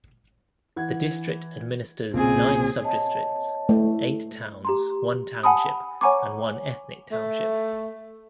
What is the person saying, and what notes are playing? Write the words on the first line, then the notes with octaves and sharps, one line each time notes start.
The district administers nine subdistricts, eight towns, one township, and one ethnic township.
E3 F#5 G#6
B1 A#2 C#3 C4 G#4
C#5 D#5 A5
A3 E4
G4 A#5 C6
F#5 G#5 A5 B5 D#6
C#5 F#5 G#5 A#5 C#6 D6
A3